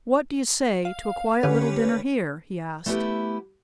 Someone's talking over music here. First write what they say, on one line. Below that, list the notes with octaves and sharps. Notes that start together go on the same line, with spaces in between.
"What do you say to a quiet little dinner here?" he asked.
F5
D3 C#4 G4 B4 C#5
A3 B3 E4 F#4 G4 B4